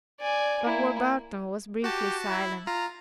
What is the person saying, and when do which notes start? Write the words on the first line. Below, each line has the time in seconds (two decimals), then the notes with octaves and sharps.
Lord Warburton was briefly silent.
0.20 D5 G#5
0.63 A#3 E4
1.84 F#4 G4 A5
2.29 E4
2.67 F4 A#5